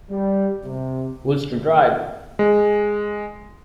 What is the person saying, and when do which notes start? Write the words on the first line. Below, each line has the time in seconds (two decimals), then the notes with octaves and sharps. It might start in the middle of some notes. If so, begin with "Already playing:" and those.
Who’s to drive?
0.11 G3
0.65 C3
2.39 G#3